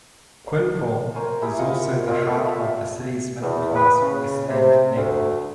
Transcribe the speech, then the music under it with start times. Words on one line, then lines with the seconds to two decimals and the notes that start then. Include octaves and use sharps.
Quinpool is also the heart of the city's middle class West End neighbourhood.
1.14 A#4 C5 C#5 G#5
1.42 E4 G4 G#4
1.59 F4 G4 D#5 F#5
2.07 F4 D5 D#5
2.24 A3
2.45 F4 G4 B4 E5
3.42 E2
3.75 B4
4.00 C#3
4.48 C3
4.96 D2